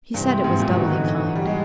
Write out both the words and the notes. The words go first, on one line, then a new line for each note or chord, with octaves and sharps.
He said it was doubly kind.
G2 C3 E3 G3 C4
G#2
A#2
D3 D#3 F#3 B3 D#4 F#4
E3
G3
G#3